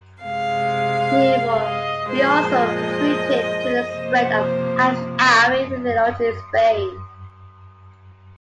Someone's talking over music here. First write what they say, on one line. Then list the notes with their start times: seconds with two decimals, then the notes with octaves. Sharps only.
He also contributed to the spread of Ash'ari theology in Spain.
0.23 C3 G#3 F5
1.62 D#5
2.08 A#2 F3 G#3 C5
2.54 D#5
3.93 C3 F3 A#3 C5